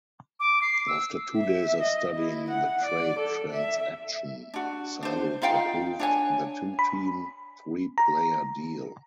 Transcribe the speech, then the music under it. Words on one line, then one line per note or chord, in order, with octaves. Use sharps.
After two days of studying the trade transaction, Salud approved the two-team, three-player deal.
D6
C7
E6
E5
D#5
E4
F#5
D5
A4
E5
D4 F#4
D4 C5
D#4 F4 F5 G5
D4 C#5 G#5
B5
A#5